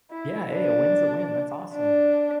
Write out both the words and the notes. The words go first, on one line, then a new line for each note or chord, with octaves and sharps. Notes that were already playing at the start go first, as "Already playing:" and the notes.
Yeah, hey, a win's a win. That's awesome!
E4
D4
D4